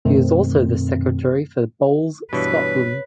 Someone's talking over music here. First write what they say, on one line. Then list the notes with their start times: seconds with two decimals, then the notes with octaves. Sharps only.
She is also the Secretary for Bowls Scotland.
0.05 F#2 B2 D#3 A3 C4
2.33 G2 B2 E3 B4 C#5